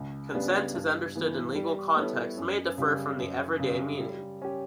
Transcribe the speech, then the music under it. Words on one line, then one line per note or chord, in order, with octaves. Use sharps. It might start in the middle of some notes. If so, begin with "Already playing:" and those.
Consent as understood in legal contexts may differ from the everyday meaning.
Already playing: C#2
C#3 G3 B3 D4
G2
E3 B3
G3
B3 E4 A4 C#5
F#2
C#3 G3
F#2
C#3 G3
G3
C#4 G4